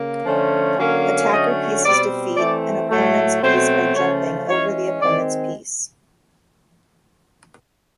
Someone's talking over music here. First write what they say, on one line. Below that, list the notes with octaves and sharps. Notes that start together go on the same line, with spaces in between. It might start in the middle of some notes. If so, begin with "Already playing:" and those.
Attacker pieces defeat an opponents piece by jumping over the opponents piece.
Already playing: C#3 A#3
D3 F3 A3 C#4
D3 F#3 A#3 C#4
D3 F#3 A3 C#4 D#5
B2 G3 C4 D5
E3 A3 C4 D5
A2 F#3 A3
B2 F#3 A3 C4 C5
C#3 F3 A3 C#4 C#5
E3 G#3 C#4 C#5
D#3 G#3 C4 D5